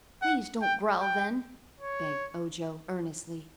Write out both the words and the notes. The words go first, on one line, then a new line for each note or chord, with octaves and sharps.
"Please don't growl, then," begged Ojo, earnestly.
F#5
G5
G5
C#5